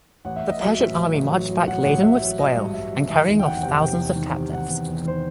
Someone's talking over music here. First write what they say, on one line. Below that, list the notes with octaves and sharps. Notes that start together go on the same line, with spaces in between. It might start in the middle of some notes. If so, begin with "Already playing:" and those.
The Persian army marched back laden with spoil and carrying off thousands of captives.
A1 F#5
E5
A1
D#5
F#3 E5
A1
F#3
A1
F#3
F#3
F#3 F#5
A1 F#5
A1 E5
F#3
F#3 D#5
G2
G2 E5
F#3
D#3 E5
E2
G5
E2 F#5
F#5
C3 G5
C3 G5
E2
D#3
C3
D#3 F#5
E2
E2
D#3 C5